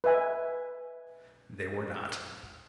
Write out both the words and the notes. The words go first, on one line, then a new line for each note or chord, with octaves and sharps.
They were not.
B4 D#5 E5 G#5